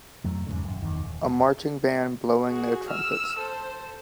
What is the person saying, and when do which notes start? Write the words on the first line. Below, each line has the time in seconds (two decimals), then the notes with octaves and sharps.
A marching band blowing their trumpets.
0.24 F2 F#3 A3
0.47 E2 G#2 C#3
0.64 D#1 F#2
0.82 F#1 E2 D#3
1.03 D#1
2.47 F#4 G#4
2.90 E6 F6
3.39 A4 C5